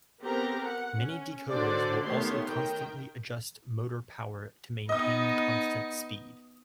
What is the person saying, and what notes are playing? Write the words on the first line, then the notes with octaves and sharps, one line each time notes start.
Many decoders will also constantly adjust motor power to maintain constant speed.
B3 C4 G4 A4 A#4 A#5
F#5
C#4
D3 C#4 D4 F#4 C5 D5
D#3 A3 B3 G4 C#5 C6
D#3 A#4 G5
B3 D#4 D#5 D#6